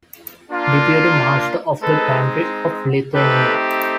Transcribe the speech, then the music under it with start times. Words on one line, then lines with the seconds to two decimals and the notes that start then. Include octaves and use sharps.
Deputy Master of the Pantry of Lithuania.
0.51 A#3 D4 F4
1.82 G#3 C4 D#4 A4 B4
3.14 A3 C4 D#4 G4 A4 B4